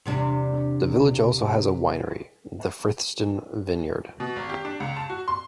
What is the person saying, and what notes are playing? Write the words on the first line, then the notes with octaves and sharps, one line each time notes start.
The village has also a winery, the Frithsden Vineyard.
E2 C3 D4
B2
G#1
G4
D4
C#2
A5
F#4
C6